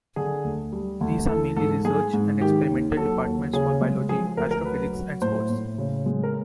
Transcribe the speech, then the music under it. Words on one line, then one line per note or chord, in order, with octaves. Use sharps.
These are mainly research and experimental departments for Biology, Astrophysics and Sports.
D3 G#4
D2
G3
D2
E3 A4
G#2 A4
G#3 G#4
G#2
D#3 G4
D#2
F#3 A4
D#2
C#3 G#4
G#3
F3 G#4
D2 A#4
A#4
F#3 B4
F#3
A2 C5
A2
C#3
G#3
A#4